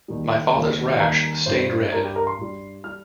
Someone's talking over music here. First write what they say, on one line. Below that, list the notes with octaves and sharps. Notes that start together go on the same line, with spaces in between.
My father's rash stayed red.
D#2 D#3 G3
D#2 D#3 G3
D#2 D#3 G3 A#5
G2 G3 C5
G2 G3 A#4
G4
A#4
C6
G2 G3
G3 F6